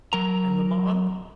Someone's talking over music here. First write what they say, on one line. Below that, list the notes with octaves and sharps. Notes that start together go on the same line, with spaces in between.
"And La Mon?"
F#3 A#4 A#5